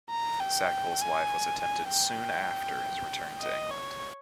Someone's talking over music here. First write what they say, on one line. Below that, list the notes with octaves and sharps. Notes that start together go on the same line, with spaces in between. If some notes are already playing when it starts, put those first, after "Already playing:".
Sackville's life was attempted soon after his return to England.
A#5
G5
G#5
G#5
G5
D#5
C#5